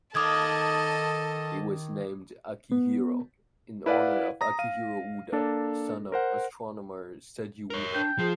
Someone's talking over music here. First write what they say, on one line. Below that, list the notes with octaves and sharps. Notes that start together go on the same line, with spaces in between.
He was named Akihiro in honor of Akihiro Ueda, son of astronomer Seiji Ueda.
D#3 A4 D#5 F5 A5 D6 D#6 G#6
B3
E4 B4 D5 F5 F#5
A#5 D#6 A#6
F5 D#7
A#3 D4 A4
A#4 C5 F#5
A#4 C#5
D4 G5
F3 G#4